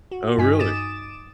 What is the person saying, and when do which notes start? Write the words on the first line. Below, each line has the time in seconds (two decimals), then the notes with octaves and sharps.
Oh, really?
0.11 F#4
0.38 G2 D#4 G#5 B6
0.59 D6 D#6 A6 D7 E7